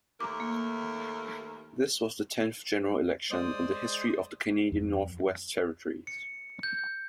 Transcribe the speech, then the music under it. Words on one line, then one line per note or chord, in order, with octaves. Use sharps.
This was the tenth general election in the history of the Canadian Northwest Territories.
D#2 A3 A#4 A#5 D6
A#3
G#3 C5 D5 D#6
F2
C#7
G6